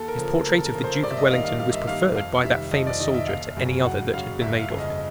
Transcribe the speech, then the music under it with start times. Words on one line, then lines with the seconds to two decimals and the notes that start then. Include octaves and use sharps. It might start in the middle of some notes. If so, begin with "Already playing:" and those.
His portrait of the Duke of Wellington was preferred by that famous soldier to any other that had been made of him.
Already playing: D#2 A4
0.08 A#4
0.18 C#3 F3
0.46 D#2 A#4
0.59 A4
0.66 A#4
0.75 C#3 F3
0.84 C5
1.03 G2 D5
1.11 E5
1.17 D#5
1.31 D#3 G3 A#3 F5
1.44 F5
1.59 G2 F5
1.69 D#5
1.73 E5
1.87 D#3 G3 A#3 F5
2.15 F2 F5
2.43 C3 D#3 G3 E5
2.71 F2 D#5
2.87 D5
3.00 C3 D#3 G3 D#5
3.14 E5
3.28 F#1 F5
3.57 F#2 C#3 F#3
3.85 F#1 F#5
4.13 F#2 C#3 F#3 F5
4.41 G1 E5
4.59 F5
4.70 F2 C#3
4.78 D#5